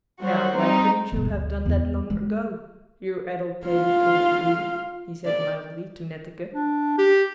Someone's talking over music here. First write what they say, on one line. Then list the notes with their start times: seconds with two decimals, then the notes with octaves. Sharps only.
"Now, why couldn't you have done that long ago, you addlepated old fool," he said mildly to Netteke.
0.21 F#3 G3 F#4 C5
0.56 G3 C4 D#4
1.12 G1 B2
1.25 D2
1.66 E2 E4
2.10 G#3
3.66 F4 F5
5.26 D5
6.53 D4
6.98 G4